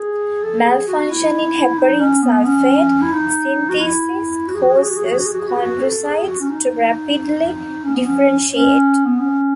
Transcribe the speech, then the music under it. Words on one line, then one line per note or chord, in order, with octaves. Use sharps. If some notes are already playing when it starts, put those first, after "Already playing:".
Malfunction in heparin sulfate synthesis causes chondrocytes to rapidly differentiate.
Already playing: G#4
A4
G#4
F#4
E4
D#4
C#4
B3
C#4
E4
D#4
F#4
E4
F#4
G#4
F#4
G#4
F#4
G#4
F#4
G#4
F#4
G#4
F#4
G#4
F#4
G#4
F#4
G#4
F#4
A4
G#4
F#4
C#4
D#4
C#4
B3
C#4
C#4
B3
C#4